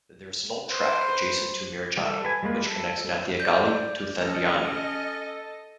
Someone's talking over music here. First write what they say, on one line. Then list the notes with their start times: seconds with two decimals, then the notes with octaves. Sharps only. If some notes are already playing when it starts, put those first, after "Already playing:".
There is an old track adjacent to Mirajani which connects Nathia Gali to Thandiani.
0.68 B4 C5
1.98 G3 A4
2.25 B4 G#5
2.43 G3 G#3 A#3 B4
2.66 A4
3.40 D5 G6
4.20 C#4 A4 D#5